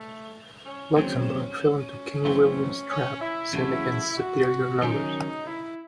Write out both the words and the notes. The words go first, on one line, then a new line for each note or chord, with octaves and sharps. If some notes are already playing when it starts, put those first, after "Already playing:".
Luxemburg fell into King William's trap set against superior numbers.
Already playing: A3
C#4
D#2 C#3 F#3 C4 C#4
F#2 E3 A3 C4 C#4
C#4
E4
E2 C#3 F#3 A3
F#4
D#3 F#3 C#4 D#4
E4